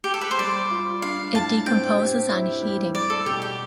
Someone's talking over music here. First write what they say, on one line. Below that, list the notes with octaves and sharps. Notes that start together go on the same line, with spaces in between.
It decomposes on heating.
G4
A4
B4
C5
G3 D5
F4
D4 F5
A2 A5
C4 G5
G4
E4
G3
G3 D5
A4
B2 G4
G4